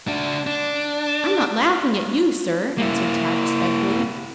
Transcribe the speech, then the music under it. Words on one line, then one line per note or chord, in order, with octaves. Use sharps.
"I am not laughing at you, sir," answered Tad respectfully.
D4 F#4
D4
A#3 E4